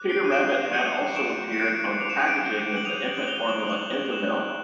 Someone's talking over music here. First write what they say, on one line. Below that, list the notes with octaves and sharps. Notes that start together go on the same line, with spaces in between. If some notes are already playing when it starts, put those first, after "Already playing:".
Peter Rabbit had also appeared on the packaging of the infant formula Enfamil.
Already playing: D6 F#6
C7 D7
D#7
D6 D7 E7
G6 C#7 D#7
C#6 D7 E7
C#7
F#6 C7 D7
D6 F7
E7
D#7
D7 E7
G6
F#7
D#6 D#7 F7
F#7
F#6 F7 G7
E7 F#7
C#6 F7 G7
F#6 E7 F#7